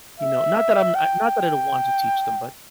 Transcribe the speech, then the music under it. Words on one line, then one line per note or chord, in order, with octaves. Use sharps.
You know, not that I'm I not that I don't want to teach them, but
E5
G5